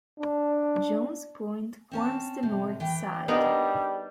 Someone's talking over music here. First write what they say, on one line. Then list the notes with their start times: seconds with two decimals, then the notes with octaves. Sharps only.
Jones Point forms the north side.
0.19 D4
1.91 C4 C#4 A5
2.43 A2 C3 F3
2.80 E3 G5
3.28 G3 B3 D4 D#4 G#4 A#4